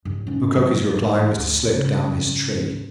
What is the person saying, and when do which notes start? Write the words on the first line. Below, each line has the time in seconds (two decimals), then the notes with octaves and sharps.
Mukoki's reply was to slip down his tree.
0.05 G2
0.27 G#2 C#4
0.54 F#3
0.93 G#2 E3
1.37 D2
1.68 G#2 C#3